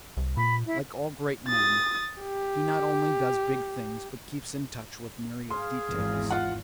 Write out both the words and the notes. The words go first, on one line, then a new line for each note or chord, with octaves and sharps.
Like all great men, he not only does big things, but keeps in touch with myriad details.
C2
A#2 B5
E4
D#6 A6
G4
G#4 F5 C6
G#1 E2
F4 F#5